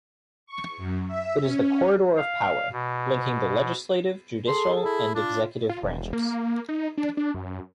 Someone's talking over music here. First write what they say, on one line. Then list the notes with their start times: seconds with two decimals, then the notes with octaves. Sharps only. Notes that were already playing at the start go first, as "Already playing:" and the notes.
It is the corridor of power, linking the legislative, judicial, and executive branches.
0.46 C#6
0.77 F#2
1.07 E5
1.40 C#4
2.17 F5
2.72 B2
4.47 G#4 A4 C6
4.84 E4
5.15 D4 F4
5.69 F4
5.83 E1
6.13 A#3
6.69 D#4
6.98 D4
7.17 D4
7.34 F#2